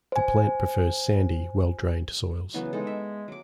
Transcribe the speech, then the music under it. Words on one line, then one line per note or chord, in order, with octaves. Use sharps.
The plant prefers sandy, well-drained soils.
C5 G#5
C#3 E3 F#3 B3
G#3 D#4 A4
E5
F#3 D6